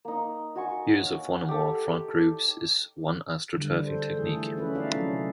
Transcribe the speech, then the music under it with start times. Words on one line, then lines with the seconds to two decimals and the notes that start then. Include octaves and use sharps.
Use of one or more front groups is one astroturfing technique.
0.05 A#3 D#4
0.55 F#4 G#5 C#6
0.93 C#5
1.48 G4 A4
3.53 D3 G3
3.83 A4 C5
4.14 E3 F3 A3 G#4 A4
4.57 F3 C#4 E4 F#4 B4
4.74 A3 D#4 F#4 D5 E5 F5
4.93 C3 F#3 C#4 E4 A4